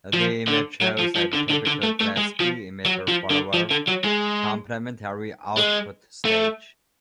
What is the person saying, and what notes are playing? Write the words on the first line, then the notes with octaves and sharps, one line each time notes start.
The image shows a typical class-B emitter-follower complementary output stage.
F3
D3
F#3
F3
F3
D3
D3
D3
A3
A3
G#3
F3
F#3
F3
D3
F3
D3
F#3
G#3
G#3
A3